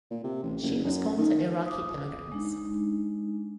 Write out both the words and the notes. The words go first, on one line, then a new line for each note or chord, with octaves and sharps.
She was born to Iraqi immigrants.
A#2
C3
A1
F#1
F#2
D#3
D6 D#6
G#3 D4 D#4